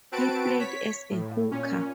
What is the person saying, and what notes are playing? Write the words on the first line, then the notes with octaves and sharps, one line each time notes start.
He played as a hooker.
C4 F#4 B4 A5 D7
C#5 B6
A2
A#2 C#4